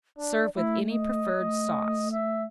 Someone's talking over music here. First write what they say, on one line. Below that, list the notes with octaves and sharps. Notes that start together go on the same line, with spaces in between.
Serve with any preferred sauce.
D4 D5
A3 E4
D#5
A3
E5